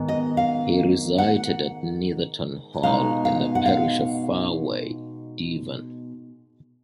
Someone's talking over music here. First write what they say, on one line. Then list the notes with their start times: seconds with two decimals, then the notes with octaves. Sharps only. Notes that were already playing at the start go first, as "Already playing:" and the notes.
He resided at Netherton Hall in the parish of Farway, Devon.
Already playing: G#2 D#3 B3
0.09 D#5
0.37 F5
1.18 F#5
2.83 B2 G#3 D#4 F5
3.25 F5
3.55 F#5
3.65 F5